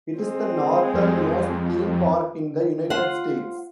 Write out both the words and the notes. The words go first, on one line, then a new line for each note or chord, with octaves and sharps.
It is the northernmost theme Park in the United States.
G#3 C4
F2
F4 C5 F#5